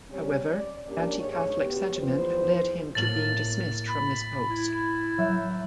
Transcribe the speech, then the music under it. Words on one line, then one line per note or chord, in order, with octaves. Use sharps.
However, Anti-catholic sentiment led to him being dismissed from this post.
G3 C4 C#4
D5
A#3 C#4 D4 G4 D5
D2 G#2 C#5
B3 F#4 G4
E2 F3 B4 C5
A2 A#3 A6 F#7
B5
E4
F#3 E5 G6